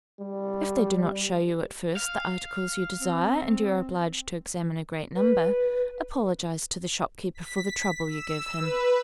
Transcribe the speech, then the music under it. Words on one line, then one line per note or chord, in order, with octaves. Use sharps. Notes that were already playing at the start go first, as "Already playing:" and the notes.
If they do not show you at first the articles you desire, and you are obliged to examine a great number, apologize to the shopkeeper for the trouble you give him.
G3
F5
C4
B4
B6
E6
B4